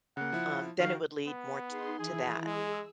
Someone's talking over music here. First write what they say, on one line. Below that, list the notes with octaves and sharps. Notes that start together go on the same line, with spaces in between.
um, then it would lead more t to that.
C#3 A#3 F#5
F3 E4
D#3 F#4 F5
B3
D#4 G#4 C6
E3 E4 G#4
G#3 G#4 E6